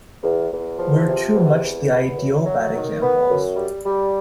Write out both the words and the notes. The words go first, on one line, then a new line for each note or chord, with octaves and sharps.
We're too much the ideal bad examples.
E2
E2
F3
C3
E2
E2
B3
F#2
F#3
D#3
B3
F#2
G3
G3